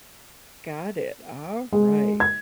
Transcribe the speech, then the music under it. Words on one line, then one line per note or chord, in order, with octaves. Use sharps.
got it, all right.
G#3
G#6